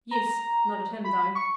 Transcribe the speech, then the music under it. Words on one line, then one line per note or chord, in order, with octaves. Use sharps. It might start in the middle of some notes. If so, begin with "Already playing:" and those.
'Yes; not at him, though.
A#5
B5
C#6